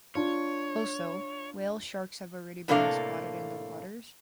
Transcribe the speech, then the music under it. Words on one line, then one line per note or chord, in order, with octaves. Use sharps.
Also whale sharks have already been spotted in the waters.
D4 F4 C#5
A2 C3 A#3 D4 A4 F5